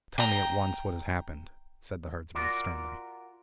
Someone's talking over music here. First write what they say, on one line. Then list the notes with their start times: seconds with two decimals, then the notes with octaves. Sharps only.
'Tell me at once what has happened,' said the herdsman sternly.
0.18 G5 A#5
2.35 F4 F#4 A#4 D5